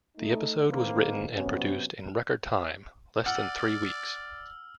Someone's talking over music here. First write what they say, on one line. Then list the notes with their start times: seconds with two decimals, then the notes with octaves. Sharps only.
The episode "was written and produced in record time" - less than three weeks.
0.18 A3 D#4
0.69 D3 D#3 G#3 A#3 C4 B4
1.35 C3 F#3 B3 C#4
3.26 D5 F#5 E6 F6